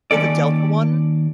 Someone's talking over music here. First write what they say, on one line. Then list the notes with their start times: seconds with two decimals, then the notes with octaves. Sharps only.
Oh, the Delta one?
0.11 D#2 C#4 A4 D5